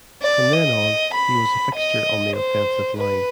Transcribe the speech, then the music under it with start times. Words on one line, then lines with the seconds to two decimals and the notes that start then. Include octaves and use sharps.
From then on, he was a fixture on the offensive line.
0.22 D5
0.53 D#5
1.14 B5
1.75 D#5
2.36 C5
2.97 B4